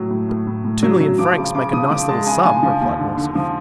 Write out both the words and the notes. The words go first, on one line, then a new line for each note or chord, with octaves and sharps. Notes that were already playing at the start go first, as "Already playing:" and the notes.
"But two million francs make a nice little sum," replied Morcerf.
Already playing: A2 F#3
A2
A2
A2
A2
F#3
F#3
F3 D6
C#3
C#3 D6
F3 D#6
F3 D6
G#3 A5
C#3 G#5
F3 G#5
F3
D#2
D3
D3
F3